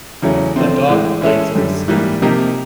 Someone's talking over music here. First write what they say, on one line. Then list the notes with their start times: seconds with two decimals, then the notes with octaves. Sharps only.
A dog plays in the snow.
0.22 E2 C#3 F#3 A3 C#4
0.56 D3 F3 A3 C4
0.88 A2 E3 G#3
1.21 E3 G#3 C#4 E4 A4
1.55 F#2 D3 G3
1.88 G#2 E3 G3 A#3
2.22 C3 F3 A#3 D#4 G4